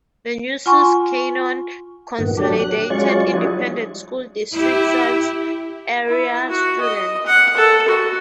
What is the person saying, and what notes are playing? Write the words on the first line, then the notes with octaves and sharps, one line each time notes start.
The Nueces Canyon Consolidated Independent School District serves area students.
F4 F#5 G#5 C6 C#6
G2 A#2 D#3 B3
F#3 D4 G4
F#6
F#3 G#3 C#4 F4 D5 C#6
F3 G3 D4 E4 F#4 G#4
E4 G4
E4
F#4
D#5
F#5
A4
F#4